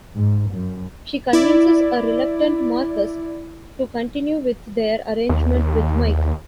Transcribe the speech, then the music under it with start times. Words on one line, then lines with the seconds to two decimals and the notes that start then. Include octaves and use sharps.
She convinces a reluctant Marcus to continue with their arrangement with Mike.
0.15 G#2
0.51 F#2
1.33 E4 D5
5.29 D#2